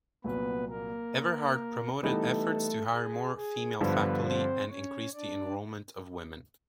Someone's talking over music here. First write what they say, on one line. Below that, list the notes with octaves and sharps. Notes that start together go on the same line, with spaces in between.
Everhart promoted efforts to hire more female faculty and increase the enrollment of women.
C2 A#2 F#3 B3 B4
A#3 A#4
E3 G3 A3 B3 D#4 A4
G#4
G#4
G2 D3 F3 B3 B4
C4 C5
C#4 C#5
D4 D5